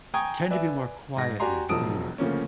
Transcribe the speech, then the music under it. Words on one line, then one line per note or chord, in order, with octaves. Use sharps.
tend to be more quiet in their demeanor,
G5 G#5 A#5 C#6 D#6 G#6
B4 D5 E5 G#5
G#2 A#6
F#4 G4 D5 G#5 A#5 C6
E1 F3 F#3 A5 D#6 D7
D2 C#3 F3 A#3 C#4